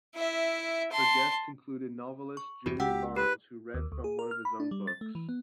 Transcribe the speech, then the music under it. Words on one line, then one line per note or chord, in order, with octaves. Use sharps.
Her guests included novellist Julian Barnes, who read from one of his own books.
E4 E5
A5 C6
C#6
E2 G2 C3 F#4
C#2 G4 F#5 E6
G4 B4
D#2
D2
G#4
A#4
F6
B5
D4
G3
A6
A3
E3
B3